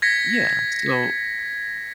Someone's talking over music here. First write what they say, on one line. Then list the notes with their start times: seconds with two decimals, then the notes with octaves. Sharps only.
Yeah, so
0.02 G#6 A#6 B6 C#7